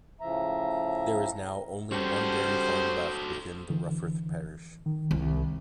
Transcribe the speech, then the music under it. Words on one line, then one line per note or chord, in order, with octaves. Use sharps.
There is now only one dairy farm left within the Rufforth parish.
A2 C#3 F3 E5 A#5
G3 C#4 F#4 A4 C5
D3 E3
D#3
C2